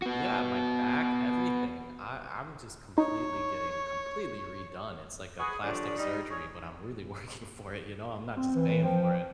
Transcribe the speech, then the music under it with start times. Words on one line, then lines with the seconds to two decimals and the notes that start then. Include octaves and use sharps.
Yeah, my back, everything. I I'm just completely getting completely redone. It's like a plastic surgery, but I'm really working for it, you know, I'm not just paying for it.
0.02 B3 F#4
2.98 D#4 C#5
5.39 F#4 G#4 B4
5.63 E2 D3 F3 G3 C#5 D5
5.97 G3 D#4
6.30 G#4 C#5
8.37 C4
8.56 E3
8.68 E3
8.84 F3 G5